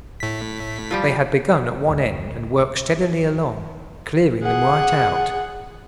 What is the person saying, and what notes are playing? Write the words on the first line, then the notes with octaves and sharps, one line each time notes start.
They had begun at one end and worked steadily along, clearing them right out.
A2 B6
F3 G3 G4
G#1 D2
G#4 F#5